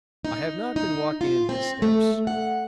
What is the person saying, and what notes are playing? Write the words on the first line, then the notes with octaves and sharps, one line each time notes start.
I have not been walking in His steps.
D#4
D#4
F4
C4
A3
F#5